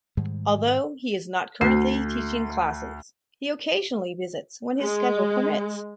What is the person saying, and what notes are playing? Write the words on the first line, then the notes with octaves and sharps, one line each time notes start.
Although he is not currently teaching classes, he occasionally visits when his schedule permits.
G#2 D#3 G3 G#3
D2 A3 F#4 C7
G#3